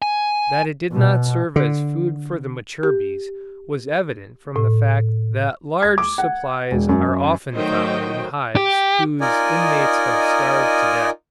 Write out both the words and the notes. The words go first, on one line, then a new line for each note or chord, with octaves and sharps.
That it did not serve as food for the mature bees, was evident from the fact that large supplies are often found in hives whose inmates have starved to death.
G#5
B2
D3
G4
A2
G#6
D6
F#5
E1
F#2
D#3 F#3 A3 C5 D#5 G5
G4
D#4 F4 A#4 D5 D#5 G#5